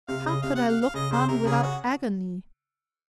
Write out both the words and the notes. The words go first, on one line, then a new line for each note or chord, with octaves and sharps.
How could I look on without agony?
C3 F5
C#3 D#5
C3 F5
F#5
F5
F5
C#3 D#5
C#3 C5
C3 A#4
C#3 G#4
F#4